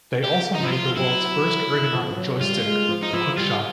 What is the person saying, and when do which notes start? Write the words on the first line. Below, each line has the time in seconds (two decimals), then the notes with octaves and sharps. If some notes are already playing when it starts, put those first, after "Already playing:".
They also made the world's first ergonomic joystick, the QuickShot.
0.24 G4
0.55 D#4
0.60 F3 E4
0.72 F4
0.96 F#3 E4
1.92 F3
2.11 F3
2.16 F#3
2.41 G3 F4
2.66 G#3
2.89 F3
3.03 D#4
3.13 F3 E4
3.37 G3 F4